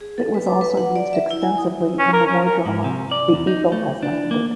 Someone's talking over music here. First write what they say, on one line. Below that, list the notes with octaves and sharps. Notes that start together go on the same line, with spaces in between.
It was also used extensively in the war drama "The Eagle Has Landed".
G#4
A4
B4
D6
B4
F#5
D5
E5
E4
G#5
D#6
C#4
A#4
C#4
A#4
G#2
C3
D5
E2
D#4
A3
D4
A#3